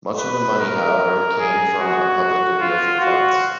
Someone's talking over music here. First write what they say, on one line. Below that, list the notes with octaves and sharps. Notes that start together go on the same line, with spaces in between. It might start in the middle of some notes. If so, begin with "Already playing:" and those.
Much of the money, however, came from a public appeal for funds.
B4
A#4
G#4
F#4
F4
F#4